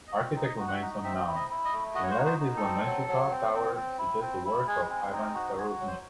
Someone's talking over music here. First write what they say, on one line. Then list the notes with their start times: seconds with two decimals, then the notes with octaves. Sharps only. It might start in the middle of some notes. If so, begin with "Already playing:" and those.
Architect remains unknown; similarities with Menshikov Tower suggest the work of Ivan Zarudny.
0.07 D#5
0.14 C4 C#5
0.36 D#4
0.44 D#5
0.59 F#4
0.68 F#5
0.74 E5
0.82 D#4
1.04 C4 E5
1.28 E4
1.35 D#5
1.50 E4
1.65 D#5
1.73 A3
1.95 F#4 D#5
2.03 C#5
2.11 C5
2.17 D#4 C#5
2.25 C5
2.40 D#4
2.56 A4
2.64 C4
2.86 F#3
3.08 F#3
3.31 C4
3.54 C4
3.76 C4
3.98 E4
4.22 C4
4.45 E4
4.67 G#3 G#4
4.89 C4
5.13 D#4
5.35 F#4
5.57 F#4 G#4
5.80 F#3
5.87 C5